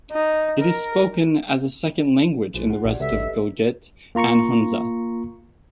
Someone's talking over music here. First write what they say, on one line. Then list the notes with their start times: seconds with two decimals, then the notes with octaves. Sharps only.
It is spoken as a second language in the rest of Gilgit and Hunza.
0.12 D#4
0.60 A#4
2.54 B1 F4 G#4 C5
2.70 F#5
2.85 A#1 F#4 G4 D5
3.00 C#2 G4 A4 B4 E5
3.12 A1 D#5 E6
4.15 A#3 F4 A#5 C#6 C#7